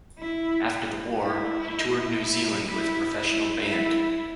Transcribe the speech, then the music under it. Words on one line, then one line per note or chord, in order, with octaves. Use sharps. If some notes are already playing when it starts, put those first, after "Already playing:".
After the war, he toured New Zealand with a professional band.
E4
E4
E4
E4
E4
E4